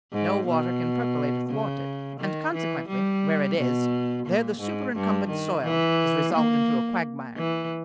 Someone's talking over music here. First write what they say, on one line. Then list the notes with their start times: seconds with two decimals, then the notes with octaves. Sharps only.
No water can percolate athwart it, and consequently where it is, there the superincumbent soil is resolved into a quagmire.
0.13 G#2
0.47 B2
1.50 C#3
2.19 D#3
2.54 E3
2.88 G3
3.57 B2
4.26 A#2
4.60 G#2
4.95 G2
5.29 D#3
5.64 E3
6.33 A#3
7.37 E3